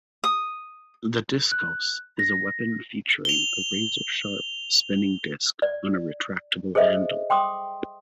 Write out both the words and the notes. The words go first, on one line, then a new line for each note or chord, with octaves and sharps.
The diskos is a weapon featuring a razor-sharp spinning disk on a retractable handle.
D#6
F#6
A#6
F7 G7
D5
G#4 A4 C5 D#5 E5
G5 C6 D6 D#6